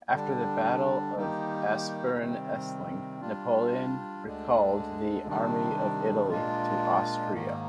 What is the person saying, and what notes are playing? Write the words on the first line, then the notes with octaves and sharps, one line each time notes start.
After the Battle of Aspern-Essling, Napoleon recalled the Army of Italy to Austria.
D3 G3 D4
D#3 G3 A#3 D#4 G4
C3 D#3 G3 C4
G3 D4 F4
D2 D3 G#3 D4
C3 D#3 G3 D4
A#2 G#3 D4 F4
G#2 D#3 A#3